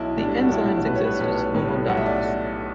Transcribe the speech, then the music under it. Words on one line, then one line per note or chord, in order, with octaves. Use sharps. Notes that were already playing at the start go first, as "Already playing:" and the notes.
The enzymes exist as homodimers.
Already playing: B1 E4
A2 G3 D4
F#4
B1 E4
A2 G3 B4
C#5
B4
B1 C#5
A2 G3
B1 F#5
E5
D5